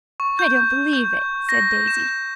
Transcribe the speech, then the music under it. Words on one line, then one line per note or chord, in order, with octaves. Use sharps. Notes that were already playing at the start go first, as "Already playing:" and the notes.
"I don't believe it!" said Daisy.
C#6
G6
G6
A#6
E7